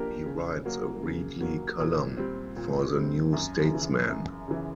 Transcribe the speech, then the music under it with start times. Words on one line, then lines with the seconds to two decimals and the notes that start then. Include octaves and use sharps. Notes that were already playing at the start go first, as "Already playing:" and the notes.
He writes a weekly column for the "New Statesman".
Already playing: F3 A#3 D4 G4 A#4
0.26 C#3
0.65 F#3 A#3
1.03 C#3
1.41 F#3 A#3
1.80 A#2
2.17 G3 C4
2.56 A#2
2.94 G3 C4
3.33 F#2
3.72 C#3 E3
4.09 F#2
4.48 C#3 E3